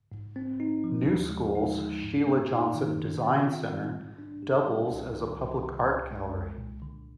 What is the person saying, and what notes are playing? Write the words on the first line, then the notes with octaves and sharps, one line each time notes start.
New School's Sheila Johnson Design Center doubles as a public art gallery.
G#2
C4
D#4
F3
D#2
G#3
D#4
D3
G#2
A#3
D#4
D#3
D3
C4
F4
G3
G#2
D4
G4
G3
C2
D#3
C2
C3
C2
G#3
C2
A#2
D3